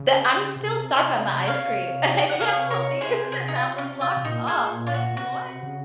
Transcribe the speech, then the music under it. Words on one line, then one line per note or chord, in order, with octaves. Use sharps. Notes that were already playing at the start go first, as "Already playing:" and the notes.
The I'm still stuck on the ice cream. I can't believe that that was locked up, like, what?
Already playing: C#3
C3
C#5 F5
F#5
C3 C#5 F5
A#4 C#5
G#4 C5
G#4
D#4
F4
C#4
F4
C3
A#2 D#4
G#4 C5
F4
F#4
A#2
C3 F#4
C#3